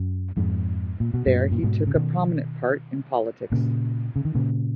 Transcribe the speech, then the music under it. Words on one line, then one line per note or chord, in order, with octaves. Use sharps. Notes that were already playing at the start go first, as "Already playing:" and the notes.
There he took a prominent part in politics.
Already playing: F#2
F2 G#2
A#2
B2
F#2 A#2
A#2
G#2 B2
C#3
B2 D#3
A#2 C#3
C#3
D#3
A#2 C#3